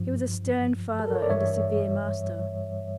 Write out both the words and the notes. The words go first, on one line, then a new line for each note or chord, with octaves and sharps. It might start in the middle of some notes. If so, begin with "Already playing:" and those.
He was a stern father and a severe master.
Already playing: G2 F3
A4
A#4
C#5
D5
G2 E3 G3 C#5 E5